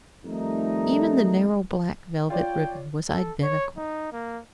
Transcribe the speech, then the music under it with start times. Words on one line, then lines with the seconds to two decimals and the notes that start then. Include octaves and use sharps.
Even the narrow black velvet ribbon was identical.
0.24 F2 D#3 G3 A3 D#4
2.30 F4 C#5 D5 G5
3.09 A4
3.42 C#5
3.77 D#4
4.12 A#3